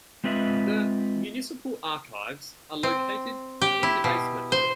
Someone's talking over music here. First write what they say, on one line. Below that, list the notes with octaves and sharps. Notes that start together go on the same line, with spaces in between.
The municipal archives are located in the basement.
G#3 C4 F4 B4 D#5 E5
C4
G4
E4
B2
C5